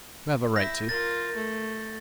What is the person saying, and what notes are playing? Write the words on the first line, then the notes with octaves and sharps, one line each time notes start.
You have a right to.
E4 E5 G6 A#6
F4 A#4 A6
A3